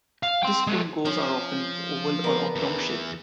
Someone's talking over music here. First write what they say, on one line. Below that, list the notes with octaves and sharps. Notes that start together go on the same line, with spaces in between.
These pingos are often oval or oblong shaped.
F5
G5 C6
G#3 A3
F3 C#4
D3 B3 A#4
E2 E3